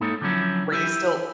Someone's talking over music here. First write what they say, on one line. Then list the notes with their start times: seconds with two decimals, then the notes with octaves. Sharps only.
were you still
0.01 G#2 A#3 D#4 E4 A4 C#5
0.21 D3 F3 F#3 C#4 E4
0.72 E4 G4 B4 E5